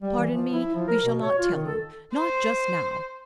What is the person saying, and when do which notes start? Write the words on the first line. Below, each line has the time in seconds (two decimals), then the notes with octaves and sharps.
"Pardon me, we shall not tell you--not just now."
0.02 G3
0.18 E3
0.31 F3
0.52 E4
0.74 F3
0.88 A#4
1.03 B2
1.23 C#5
1.38 F4
1.51 D#3
1.67 A4
2.14 C5